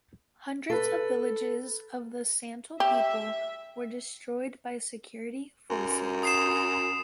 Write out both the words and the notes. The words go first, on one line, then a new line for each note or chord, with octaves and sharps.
Hundreds of villages of the Santal People were destroyed by security forces.
A4 B4
G4 E5
F#2
D#6 C7 E7